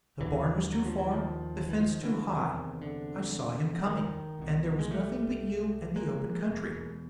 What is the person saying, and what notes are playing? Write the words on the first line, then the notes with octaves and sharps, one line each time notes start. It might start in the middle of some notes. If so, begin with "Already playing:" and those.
The barn was too far, the fence too high; I saw him coming, and there was nothing but you and the open country.
D#2 D3 E3 F#3
F#3
F3
E3
D#3 F3
E3
D#3 F3
D3 E3
E2 C3 D#3
D3
D#3
C2 B2
G#3
G3 A3
G#3 A#3
E2 B2